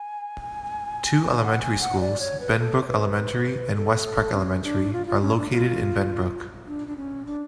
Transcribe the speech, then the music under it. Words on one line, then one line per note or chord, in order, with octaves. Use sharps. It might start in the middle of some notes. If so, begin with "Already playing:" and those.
Two elementary schools, Benbrook Elementary and Westpark Elementary, are located in Benbrook.
Already playing: G#5
F#5
G#5
F#5
D5
C#5
B4
A4
C#5
B4
A4
C#4
D4
F4
F4
C#4
D4
F4
D4
D4
C#4
D4